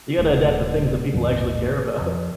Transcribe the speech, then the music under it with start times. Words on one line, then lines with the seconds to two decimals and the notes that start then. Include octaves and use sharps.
you gotta adapt the things that people actually care about.
0.18 D#1 A3
1.13 G#1 D#2 A#2 F#3
2.01 F2